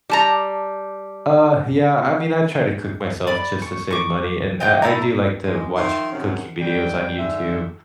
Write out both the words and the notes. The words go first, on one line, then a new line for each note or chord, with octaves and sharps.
Uh, yeah, I mean, I try to cook myself just to save money, and I I do like to watch cooking videos on YouTube,
G3 A5 A#5
D5 B5
C#6
C#6 D6
G4 D#5 G5 G6
A3 D#4 E4 A#5
G#3
D#3 F3 E5 C6
F#2 C3 D#3 C#4 F#5
F#2 G3 D4 G5
G#2 D3 E5